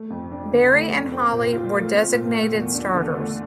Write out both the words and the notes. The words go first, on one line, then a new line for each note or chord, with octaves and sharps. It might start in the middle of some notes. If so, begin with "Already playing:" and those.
Berry and Hali were designated starters.
Already playing: A3
F2
D4
D3
A3
F2
C4
A#2
F4
A3
C4
A#2
A3
E2
D4
D3
A3